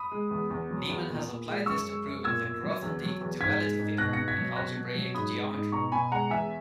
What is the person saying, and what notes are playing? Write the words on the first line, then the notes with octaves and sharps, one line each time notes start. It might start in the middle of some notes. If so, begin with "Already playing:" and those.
Neeman has applied this to proving the Grothendieck duality theorem in algebraic geometry.
Already playing: B5 D#6
G#3
E2
E2
F#3
E2
A#2
A#2
G#3
F#2 C#6 E6
G#3
F#2
A#2 E6 G#6
A#2
F#3
E2
F#3
E2
G#2 G#6 B6
G#3
G#2
B2 F#6 A#6
B2 A#6 C#7
G#6 B6
F#3
B2 F#6 A#6
B2
F#3
G#2 B5 D#6
G#3
G#2
B2 A#5 C#6
B2 G#5 B5
G#3 F#5 A#5
E2 E5 G#5